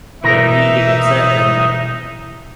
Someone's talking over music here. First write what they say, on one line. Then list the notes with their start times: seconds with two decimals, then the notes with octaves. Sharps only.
the me-being-upset thing, like,
0.24 B2 E3 D#4 A#4 E5 A#5